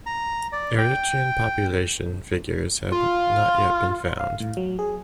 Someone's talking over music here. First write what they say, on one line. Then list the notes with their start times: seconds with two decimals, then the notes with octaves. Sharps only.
Eritrean population figures have not yet been found.
0.06 A#5
0.52 D5
0.78 G5
2.92 F4
4.20 F5
4.40 A2
4.57 F#3
4.79 G#4